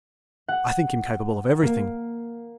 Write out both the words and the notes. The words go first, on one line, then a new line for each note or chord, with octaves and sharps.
"I think him capable of everything."
F#5
A#3